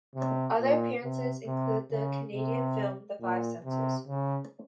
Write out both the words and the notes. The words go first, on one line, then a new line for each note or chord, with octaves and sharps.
Other appearances include the Canadian film "The Five Senses".
C3
A#2
C3
C3
C#3
C3
A#2
C3
C#3